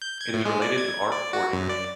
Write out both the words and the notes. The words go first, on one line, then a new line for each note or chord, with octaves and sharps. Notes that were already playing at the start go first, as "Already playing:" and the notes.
It is related to art forgery.
G6
G#6
A2
G#3
D5
G#6
D5
F#4
F#2
D5